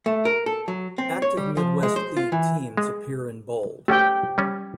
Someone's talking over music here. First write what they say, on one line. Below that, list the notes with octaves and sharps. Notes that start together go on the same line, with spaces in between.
Active Midwest League teams appear in bold.
A3
A#4
A4
F#3
C4
C#5
G3
F3
G#3
C5
F4
E3
G#3
A3 C#4 G4 G5
G3 C#4